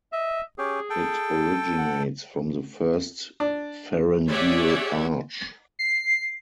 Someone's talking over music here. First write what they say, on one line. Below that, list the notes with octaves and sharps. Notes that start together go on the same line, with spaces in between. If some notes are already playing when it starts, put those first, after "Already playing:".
It originates from the first pharyngeal arch.
D#5 E5
C#4 G4 G#4
A4 G5
F#5
D4
G4 G#4 C#5 D5 E5 F#5
C7